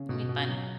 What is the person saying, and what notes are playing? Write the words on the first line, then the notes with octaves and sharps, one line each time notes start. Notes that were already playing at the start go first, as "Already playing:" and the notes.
it'll be fun.
Already playing: C#3
B2
B2
F#3